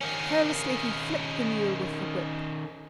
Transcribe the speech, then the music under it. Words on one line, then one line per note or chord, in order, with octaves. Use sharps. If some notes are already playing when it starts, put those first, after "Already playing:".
Carelessly he flicked the mule with the whip.
D#3 C#4